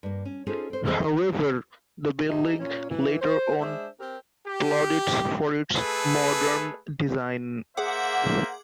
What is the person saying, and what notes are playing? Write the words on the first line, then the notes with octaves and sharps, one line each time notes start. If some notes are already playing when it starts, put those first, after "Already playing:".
However, the building later won plaudits for its modern design.
G2 A#3
C#4
C#4 D#4 F4 G#4 A4 C5
C4 C5
F2 G#4 C5 D#5
F3 D#4 G4 G#4 D#5 E5
A#2 C#4
E3
C5
G#3 D4 G#4 C5 E5
C4 G4 A#4
G4
A3 G#4 A4 B4
A#3 G#4 C5 E5 F#5 D6